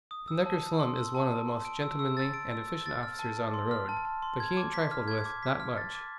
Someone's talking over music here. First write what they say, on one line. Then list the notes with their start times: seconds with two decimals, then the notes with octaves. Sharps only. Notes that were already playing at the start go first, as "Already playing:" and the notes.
Conductor Slum is one of the most gentlemanly and efficient officers on the road; but he ain't trifled with, not much.
0.11 D#6
0.28 E6
0.46 A5
0.63 A5
0.80 C6
0.97 E6
1.15 A5
1.31 A5
1.48 C6
1.65 D7
1.82 E6
1.99 E6
2.17 A6
2.34 D7
2.51 E6
2.68 E6
2.86 A6
3.03 F6
3.19 A5
3.37 A5
3.54 C6
3.71 F6
3.89 A5
4.05 A5
4.23 C6
4.40 G#6
4.57 D6
4.74 B6
4.91 F6
5.08 G#6
5.26 D6
5.43 B6
5.60 F6
5.77 A6
5.95 D6